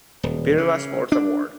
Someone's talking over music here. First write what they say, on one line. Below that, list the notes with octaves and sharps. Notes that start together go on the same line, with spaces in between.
Birla sports award.
D#1
C#3
D4